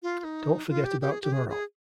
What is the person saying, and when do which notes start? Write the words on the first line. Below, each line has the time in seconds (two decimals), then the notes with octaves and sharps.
Don't forget about tomorrow.
0.03 F4
0.19 F4
0.24 D#4
0.68 F4
0.84 G4
1.01 G4
1.11 G#4
1.22 G4
1.33 G#4
1.49 G#4